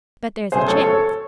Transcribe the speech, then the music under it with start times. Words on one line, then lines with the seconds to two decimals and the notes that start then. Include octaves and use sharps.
"But there's a chance?"
0.52 C#2 C#3 F#3 A3 G#4 C5
0.68 A4 C#5
0.83 A4 C#5